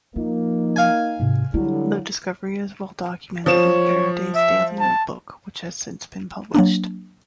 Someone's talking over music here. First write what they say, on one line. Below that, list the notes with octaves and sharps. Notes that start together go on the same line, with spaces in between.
The discovery is well documented in Faraday's daily notebook, which has since been published.
F3 A#3 D#4
F5 G#5
G#2 C3
D3 F#3 G3 E4
F3 C#5 E7
E5
A5
F#3 A#3 D4